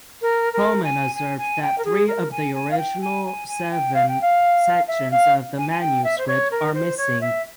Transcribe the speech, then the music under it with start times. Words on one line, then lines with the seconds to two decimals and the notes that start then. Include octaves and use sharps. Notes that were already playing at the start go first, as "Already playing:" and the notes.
Holman observed that three of the original seven sections of the manuscript are missing.
0.21 A#4
0.53 A#4
0.83 G#5
1.15 G#5
1.38 G#5
1.61 G5
1.78 A#4
1.85 G#4
2.07 A#4
2.31 G#5
2.54 G#5
2.71 F5
2.77 G5
3.01 G#5
3.24 G#5
3.48 G#5
3.71 G5
3.94 F5
4.08 G5
4.21 F5
4.87 E5
5.11 F5
5.57 G#5
5.69 G#5
5.81 G5
6.04 E5
6.18 C5
6.27 C#5
6.51 A#4
6.74 C5
6.97 C#5
7.21 E5